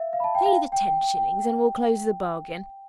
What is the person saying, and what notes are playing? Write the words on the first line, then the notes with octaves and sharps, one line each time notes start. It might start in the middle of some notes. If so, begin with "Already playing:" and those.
Say the ten shillings, and we'll close the bargain.
Already playing: E5 F5
F5
B5
A5
G5
F5
G5
G5
G5
G5